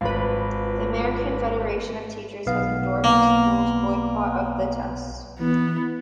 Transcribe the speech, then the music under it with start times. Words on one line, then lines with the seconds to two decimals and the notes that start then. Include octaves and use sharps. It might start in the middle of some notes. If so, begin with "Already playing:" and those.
The American Federation of Teachers has endorsed the school's boycott of the tests.
0.01 G#1 F4 B4
2.46 B1 B3 F5
3.04 A#3
5.40 E3 B3